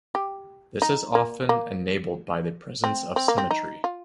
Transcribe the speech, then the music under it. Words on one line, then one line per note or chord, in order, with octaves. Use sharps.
This is often enabled by the presence of symmetry.
G4
D#4
A#3
A#3
C4
C4
A#3
C4
D#4
F4